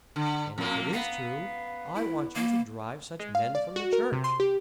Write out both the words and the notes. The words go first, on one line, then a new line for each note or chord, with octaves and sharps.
And if it is true, I want you to drive such men from the church!
D3
F2 A#3
B3 F5
E4
A#3
G#3
F5
D5
F#4
A#4
C3
C6
G4